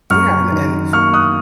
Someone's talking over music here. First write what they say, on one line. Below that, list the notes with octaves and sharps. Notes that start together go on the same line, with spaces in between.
Yeah, an and
F#2 C#6 F6
D#3
A#3 C#6 F6
D#6 F#6